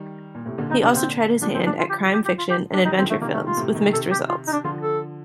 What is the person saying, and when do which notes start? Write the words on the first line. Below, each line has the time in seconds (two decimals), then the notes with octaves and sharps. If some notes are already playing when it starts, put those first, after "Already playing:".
He also tried his hand at crime fiction and adventure films, with mixed results.
Already playing: D#3 G3
0.35 A#2
0.46 A2 C3
0.58 A#2 D3
0.70 D3 D#4
0.82 C3 D4
0.93 A#2 D3 C4
1.41 D3 F3 D4
1.54 C4
1.66 D4
1.78 F4
1.90 G4
2.13 G4
2.25 G4
2.38 F4
2.50 G4
2.74 D4
2.85 D#3 G3 D#4
2.98 C4
3.03 D3 F3
3.10 A3
3.21 C3 D#3 A#3
3.34 A3
3.45 F4
3.57 A2 C3
3.75 C3 D#3
3.93 C3 D#3 A4
4.11 G4
4.29 F4
4.47 D#4
4.52 D4
4.64 D3 F3 F4
4.83 A4